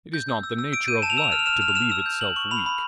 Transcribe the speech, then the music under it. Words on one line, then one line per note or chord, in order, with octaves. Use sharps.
It is not the nature of life to believe itself weak.
G6
E6
E6
E6
E6 D7
G6 D#7
A5 E7
F7
E6 E7
F7
F6 E7
F7
F6 E7
F7
F6 E7
F7
F6 E7
F7
E6 E7
G6
G6 F#7
C#6 F#7
B5 F7
B5